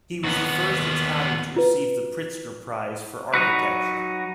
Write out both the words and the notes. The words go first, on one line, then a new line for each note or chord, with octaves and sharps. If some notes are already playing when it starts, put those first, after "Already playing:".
He was the first Italian to receive the Pritzker Prize for architecture.
D#2 B3
F4 B4
F#3 D#4 F#4 B4